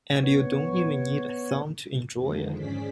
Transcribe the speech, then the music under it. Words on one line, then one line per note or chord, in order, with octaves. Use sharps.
And you don't even need a thong to enjoy it.
B3 C#5
F2 D3 D#3 F3 G#3
G#2 C#4 G#4 C5 D5 B6